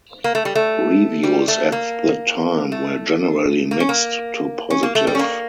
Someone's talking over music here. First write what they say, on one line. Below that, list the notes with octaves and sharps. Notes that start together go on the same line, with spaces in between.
Reviews at the time were generally mixed-to-positive.
A#3
A3
G3
A3
G3
A3
A#3
A3
A#3
C#4
A#3
C#4
A#3
A3
G3
C#4
A#3